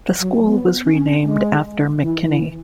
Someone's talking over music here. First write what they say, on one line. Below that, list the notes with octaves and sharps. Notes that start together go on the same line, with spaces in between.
The school was renamed after McKinney.
F#3
B3
C#4
G#3
E3
E3